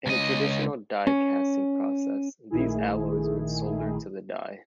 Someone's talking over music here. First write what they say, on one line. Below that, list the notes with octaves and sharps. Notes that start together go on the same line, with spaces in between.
In a traditional die casting process these alloys would solder to the die.
C#2 D#5
C#4
A#1 D#3 A3 E4 G#4